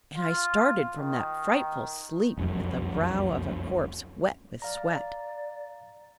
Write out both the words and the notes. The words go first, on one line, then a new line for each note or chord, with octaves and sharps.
And I started from that frightful sleep with the brow of a corpse, wet with sweat....
F4
D#3
F1 C2 F#2
D5 F5 A#5